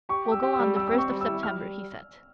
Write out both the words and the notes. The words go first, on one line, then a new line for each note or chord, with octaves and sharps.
"We'll go on the first of September," he said.
G4 C#6
G4
E6
G4
E6
G3
G4 E6
E6
C4
C#6
G3
E6
E4
G3 F6
G3